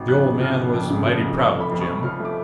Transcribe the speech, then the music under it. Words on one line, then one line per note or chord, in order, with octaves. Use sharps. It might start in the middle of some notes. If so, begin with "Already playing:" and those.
The old man was mighty proud of Jim.
Already playing: G#1
F2 F#6
C#3
F3 F6
F1
F2 D6
C#3
F3
F1
F3 C#6
A3
B5
F2
C#6
F2
F3 F6
A3
D6